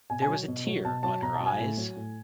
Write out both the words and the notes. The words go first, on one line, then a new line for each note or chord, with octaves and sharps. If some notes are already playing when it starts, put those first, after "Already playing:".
There was a tear on her eyes.
B2 G#5
G#5
F#3
B2
F#3
B2 A5
F#3 A5
B2 A#5
A5
F#3
G#5
A2
F#3
A2